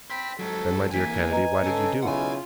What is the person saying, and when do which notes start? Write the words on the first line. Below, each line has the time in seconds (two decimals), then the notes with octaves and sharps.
"Then, my dear Kennedy, why did you do it?"
0.10 G5 B5 C6 B6
0.40 G#2 F#3 A4
0.94 E3 A#3 G#5 B6
1.29 B4 D#5 A#5
1.63 C#3 C#4 A4
2.03 B1 C#3 E4 F4 F#5 G#5